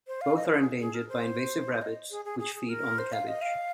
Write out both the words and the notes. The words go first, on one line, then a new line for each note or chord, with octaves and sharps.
Both are endangered by invasive rabbits which feed on the cabbage.
C5
F5
D#5
A#4
G#4
G#4
A#4
C5
D#5
G#4
G#4
G#4
G#4
A#4
C5
F5
D#5
F5